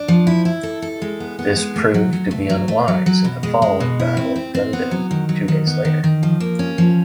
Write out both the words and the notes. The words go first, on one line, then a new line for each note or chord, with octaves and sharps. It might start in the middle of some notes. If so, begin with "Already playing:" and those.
This proved to be unwise at the following Battle of Gumbinnen two days later.
Already playing: D4
F3
E4
E4
A4
A4
G#3
B3
B3
G#3
A3
F#3
F#3
A3
F#3
A3
F#3
F#3
B2
G#3
G#3
B2
E4
C4
C4
C4
B3
F#3
D#3
F#3
D#3
B3
D#3
D#3
F3
A#3
C#4
F3